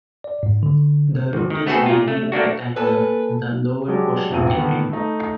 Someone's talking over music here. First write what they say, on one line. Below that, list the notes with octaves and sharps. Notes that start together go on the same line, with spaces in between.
The root is vaguely rectangular, with the lower portion tapering.
D5
G#2
D3
G#1
D#3
A3 B3 C4 F#4 G#4 A4
A#2 F4
A3
A3 A#3 D4 F#4
A#3 A4 B4 G#5 A5
F#3 G#3 D4 G4
E1 A1 G#2 F3 C4 D#7
D3 D#3 B3
A3 D#4